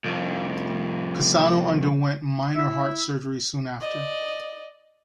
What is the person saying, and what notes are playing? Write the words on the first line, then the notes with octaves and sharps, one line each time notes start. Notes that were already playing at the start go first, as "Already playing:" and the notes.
Cassano underwent minor heart surgery soon after.
C2 F2
E4 E5
D5 D#5